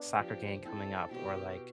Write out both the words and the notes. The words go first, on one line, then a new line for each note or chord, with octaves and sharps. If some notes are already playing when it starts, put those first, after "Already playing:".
soccer game coming up?" Or, like,
Already playing: B3 D4
F3 G4
C4 E4 A4
B2 G4